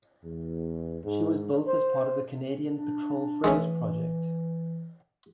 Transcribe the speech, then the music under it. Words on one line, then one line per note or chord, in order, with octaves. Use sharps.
She was built as part of the Canadian Patrol Frigate Project.
E2
G#2
C5
D4
E3 G#3 A3 C#4